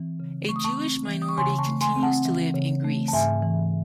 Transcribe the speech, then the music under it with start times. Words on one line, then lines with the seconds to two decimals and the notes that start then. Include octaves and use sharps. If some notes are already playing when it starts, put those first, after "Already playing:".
A Jewish minority continues to live in Greece.
Already playing: E3 C4
0.20 C#3
0.49 A3 C#6
0.56 D#6
0.64 A5 C#6
0.79 C4
1.07 E3
1.22 D#6
1.29 C#6
1.38 C#3 G#5 C6
1.59 A5 C#6
1.66 A3
1.81 G#5 C6
1.96 C4
2.03 F#5 A5
2.26 E3
2.54 C#3
2.85 A3
3.08 A5
3.13 G#2 E5 G#5
3.43 E3